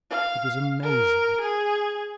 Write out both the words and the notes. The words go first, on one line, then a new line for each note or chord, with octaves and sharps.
It was amazing.
F5
A#4
G#4